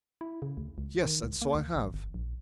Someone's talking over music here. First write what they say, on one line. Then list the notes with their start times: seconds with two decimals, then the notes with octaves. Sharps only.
Yes, and so I have.
0.21 E4
0.42 C#3
0.57 D2
0.78 C#2
1.04 D#3
1.23 C#2
1.42 A#3
1.55 D2
1.75 A1
1.94 G1
2.14 A#1